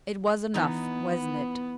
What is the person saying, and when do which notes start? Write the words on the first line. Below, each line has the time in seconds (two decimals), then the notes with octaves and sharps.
It was enough, wasn't it?
0.54 E3 B3 D#4